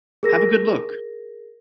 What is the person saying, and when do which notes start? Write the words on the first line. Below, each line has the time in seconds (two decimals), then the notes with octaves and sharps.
Have a good look.
0.23 G#4 A#4 A#6